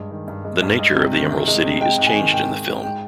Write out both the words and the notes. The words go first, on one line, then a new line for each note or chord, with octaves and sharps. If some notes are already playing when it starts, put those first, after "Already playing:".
The nature of the Emerald City is changed in the film.
Already playing: G2 G#3
D#3
G2
G#3
G2
G#3 D#5
C3
D#3
C3
G#3
C3
G#3 G5
G#2
G#5
D#3
G#2 G5
G#3
G#2
G#3 G5